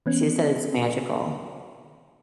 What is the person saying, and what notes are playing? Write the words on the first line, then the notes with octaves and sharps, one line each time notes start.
she said it's magical.
E3 B3 C#4